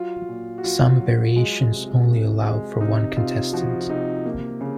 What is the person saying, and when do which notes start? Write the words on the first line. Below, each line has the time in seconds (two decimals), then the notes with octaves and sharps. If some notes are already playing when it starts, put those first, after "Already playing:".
Some variations only allow for one contestant.
Already playing: F#3 F4
0.29 A#2
0.58 F#4
0.64 F#3 F4
1.00 F#3
1.36 G#3
1.72 C3
2.09 C3
2.45 G#3
2.81 C3 D#4
3.17 C3 F4
3.53 F3 F#4
3.89 C3 D#4
4.25 A#3
4.61 C#3